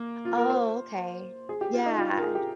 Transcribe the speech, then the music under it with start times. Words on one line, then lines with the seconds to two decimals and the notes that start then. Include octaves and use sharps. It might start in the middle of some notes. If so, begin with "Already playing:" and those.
Oh, okay. Yeah.
Already playing: A#3
0.25 F4
0.38 A#4
0.50 C5
1.49 G#4
1.61 G4
1.74 F4
1.86 D#4
1.98 F4
2.10 F4
2.18 A#4
2.22 G#4
2.35 G4